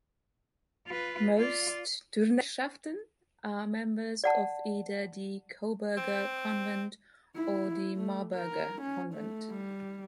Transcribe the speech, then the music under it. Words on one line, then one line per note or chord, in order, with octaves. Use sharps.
Most Turnerschaften are members of either the Coburger Convent or the Marburger Convent.
F4 B4
F4 D5
D5 F#5 A5
C4
E4
A3
A#4
C#4
A3
G3